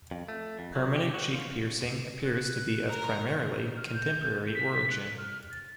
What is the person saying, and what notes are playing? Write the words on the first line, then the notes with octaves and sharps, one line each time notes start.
Permanent cheek piercing appears to be of primarily contemporary origin.
F2
A3
F2
F#3
G4
F#4
F4
F#6
A#4 A#5
F6
G6
B6
F#6
F6
A6